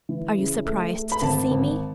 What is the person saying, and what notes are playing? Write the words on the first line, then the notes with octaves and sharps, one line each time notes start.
"Are you surprised to see me?"
E3
C#3
A3
A3
B5
G#1 A5
G#1